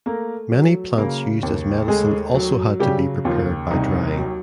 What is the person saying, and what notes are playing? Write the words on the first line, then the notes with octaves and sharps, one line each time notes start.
Many plants used as medicine also had to be prepared by drying.
A3 A#3 A#4
F#3
C#3 A#3 A#4
D#2
G#3 A3 G#4
F#3
C#3 G3 G4
D#2 F3 F4
C2 D#4
F#3